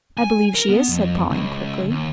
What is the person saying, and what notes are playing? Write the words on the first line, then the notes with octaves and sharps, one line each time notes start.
"I believe she is," said Pauline quickly.
G#5
A#4
B3
F2
C#2
D#2